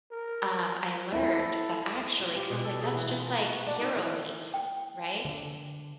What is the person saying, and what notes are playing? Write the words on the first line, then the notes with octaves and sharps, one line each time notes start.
um, I learned that actually 'cause I was like, that's just like hero meat, right?
A#4
E4 A4
F4
G4
B2
A4
G#4
E3
F4
A#4
F#4
D4
D#4
E3
G5
D3